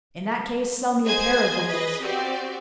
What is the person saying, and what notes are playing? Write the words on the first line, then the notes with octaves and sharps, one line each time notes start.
"In that case, sell me a pair of wheels."
G#4 C5 D#5 G#5 G#6
G#4 B4 D#5
C4 F#4 G4 D5